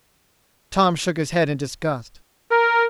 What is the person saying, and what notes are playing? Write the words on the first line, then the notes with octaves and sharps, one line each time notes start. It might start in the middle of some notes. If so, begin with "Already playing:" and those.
Tom shook his head in disgust.
A#4